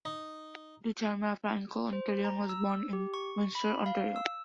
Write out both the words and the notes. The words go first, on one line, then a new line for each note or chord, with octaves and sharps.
Ducharme, a Franco-Ontarian, was born in Windsor, Ontario.
D#4
C5
A#5
E6
G4
C#6
B5
F5
E6